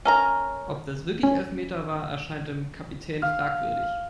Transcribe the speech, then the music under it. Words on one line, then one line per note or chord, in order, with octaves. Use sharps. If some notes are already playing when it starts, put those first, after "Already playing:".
Ob das wirklich Elfmeter war, erscheint dem Kapitän fragwürdig.
C#4 A#4 A#5
C#4
F5